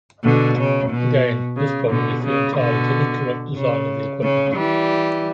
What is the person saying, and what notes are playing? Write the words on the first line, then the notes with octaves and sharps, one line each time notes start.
Again, this problem is due entirely to incorrect design of the equipment.
B2 D3
C#3
B2
C#3
B2 D3
C#3
B2 D3
C#3
C#3
E3 G3